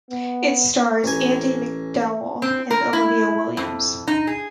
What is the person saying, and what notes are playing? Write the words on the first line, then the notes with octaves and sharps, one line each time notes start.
It stars Andie MacDowell and Olivia Williams.
B3
A1 G#5
C4
A#4
E4
F2
D#4
G#4